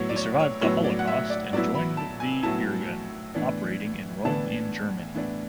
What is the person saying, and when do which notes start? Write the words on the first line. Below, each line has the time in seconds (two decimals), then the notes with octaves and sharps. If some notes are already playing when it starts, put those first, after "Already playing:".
He survived the Holocaust and joined the Irgun, operating in Rome and Germany.
Already playing: A2 F#3 B3 E4 C#5
0.09 D5
0.16 C#5
0.39 C#5
0.61 A2 F#3 B3 E4 C#5
0.84 D5
0.99 F#5
1.07 E5
1.30 D5
1.53 A2 F#3 B3 E4 D5
1.75 B5
1.97 A5
2.20 G#5
2.43 A2 F#3 B3 E4 A5
3.34 A2 E3 B3 D4
4.24 A2 E3 B3 D4 A5
5.15 A2 E3 B3 D4